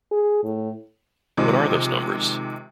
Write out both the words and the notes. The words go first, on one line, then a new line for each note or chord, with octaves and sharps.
What are those numbers?
G#4
A2
C3 D#3 F3 G#3